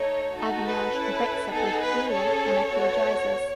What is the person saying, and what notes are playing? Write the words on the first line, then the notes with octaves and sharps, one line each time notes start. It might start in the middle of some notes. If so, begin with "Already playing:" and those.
Avinash breaks up with Priya and apologises.
Already playing: A3 D#4 A4 C#5
D#4 F#4 A4
B4
C#4 E4 A4
B3 D#4 G#4 A4
B4
C#4 G#4 A4 C#5
B3 F#4 A4